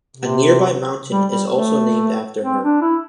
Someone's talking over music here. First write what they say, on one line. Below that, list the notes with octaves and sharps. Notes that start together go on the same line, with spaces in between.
A nearby mountain is also named after her.
C3
G3
G3
A3
C4
D4
E4